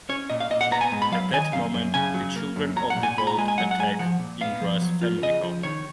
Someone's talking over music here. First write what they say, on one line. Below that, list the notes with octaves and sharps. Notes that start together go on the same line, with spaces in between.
At that moment, The Children of the Vault attack Indra's family home.
C#4 C#5
A#2 D#5
F5
A#2 D#5
F#5
B3 A#5
G#5
G#2
B5
F#3 F5
D#3 G#5
F#2 F5
F#2
C#3 G#5
F#3
A#3
F#2
F#3 A#5
F#5
A#2
G#5
A#2 B5
A#5
G#3 G#5
G#5
F#3 F#5
F#5
G#2 G#5
F3 F#5
A#2
B3 F5
F3
F#3
F4
C#3 D#5
F3
D#3 C#5